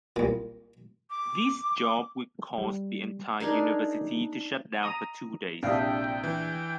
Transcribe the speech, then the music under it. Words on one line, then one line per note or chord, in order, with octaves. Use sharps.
This job will cause the entire university to shut down for two days.
C2 A#2
D6
G3
D4 D#4 G#4 A#4
A#5 D#6
A#1 C3 D4 E4 E5 F5 G5 D#6
E3